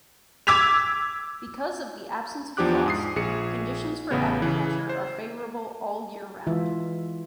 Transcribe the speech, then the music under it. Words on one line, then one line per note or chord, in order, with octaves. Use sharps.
Because of the absence of frost, conditions for agriculture are favourable all year round.
D6 E6 G#6 B6 F7
E2 F3 D4 G4 D6 F#6
G#2 D#6 C7
A#1 G#4 C#7
A1 C#3 B3
C#3 E3
C5
E3 G#3 F4 E5